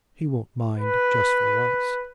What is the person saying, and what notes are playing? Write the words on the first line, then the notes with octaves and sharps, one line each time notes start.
He won't mind just for once.
B4